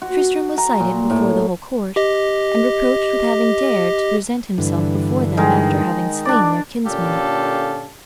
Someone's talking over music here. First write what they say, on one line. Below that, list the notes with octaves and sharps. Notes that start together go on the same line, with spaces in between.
Tristram was cited before the whole court, and reproached with having dared to present himself before them after having slain their kinsman.
F#4
A#5
A#2
A2
G4 D#5
G2 D3 E3
D#3 G#3
D4 D5
A#2 D3 C#4 G4 A4 F5